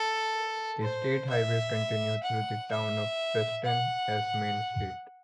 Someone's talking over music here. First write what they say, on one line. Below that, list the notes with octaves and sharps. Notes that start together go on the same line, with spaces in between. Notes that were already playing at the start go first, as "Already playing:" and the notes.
The state highways continue through the town of Preston as Main Street.
Already playing: A4
C5
E5
F#5
E5
F#5